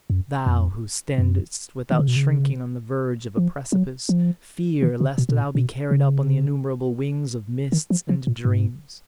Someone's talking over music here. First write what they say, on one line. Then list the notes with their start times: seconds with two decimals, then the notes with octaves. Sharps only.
Thou who standest without shrinking on the verge of a precipice, fear lest thou be carried up on the innumerable wings of mists and dreams.
0.10 F#2
0.46 F2
1.18 F#2
1.91 D#3
1.99 C#3
2.08 B2
2.16 C#3
3.37 F3
3.72 F#3
4.09 F3
4.82 D#3
5.00 C#3
5.18 B2
5.29 B2
5.36 A#2
5.55 B2
5.91 C#3
7.72 D#3
7.90 F3
8.09 F3
8.27 A#2
8.45 G#2